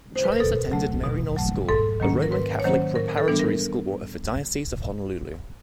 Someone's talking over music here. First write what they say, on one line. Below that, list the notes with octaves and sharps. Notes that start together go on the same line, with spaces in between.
Trias attended Maryknoll School, a Roman Catholic preparatory school of the Diocese of Honolulu.
C5
B4
A#4
B2 A4
F#3 A3
B2
F#3 A3
G#2 A4
D#3 F#3 A#3 C#4
A#4
G#2 B4
C#5
D#3 F#3 A#3 C#4 C5
A2 A#4
A4
E3 G3 B3 D4
A#4